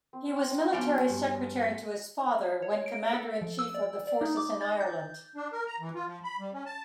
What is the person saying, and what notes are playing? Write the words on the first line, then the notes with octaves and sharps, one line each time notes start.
He was Military Secretary to his father when Commander-in-Chief of the Forces in Ireland.
C4
F3 B3 C#4 D4 F#4 C#5 F5 G5
G2
C#5
D7
A4
F3
E6
D5
D5
D#4
D6
A6
G6
D4
A#4
A#5
E3
F4
F3
B5
G3
C#4
A5